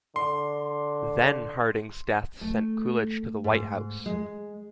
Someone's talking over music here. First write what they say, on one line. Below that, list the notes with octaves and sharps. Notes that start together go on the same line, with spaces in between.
Then Harding's death sent Coolidge to the White House.
D3 C6
A3
G#2
G#3